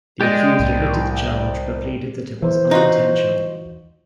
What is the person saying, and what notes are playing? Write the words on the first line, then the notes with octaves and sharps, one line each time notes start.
The accused admitted the charge, but pleaded that it was unintentional.
G#3 G4 D5 D#5
C2 A2 A#3
E3 C5
D#4 F4 F#4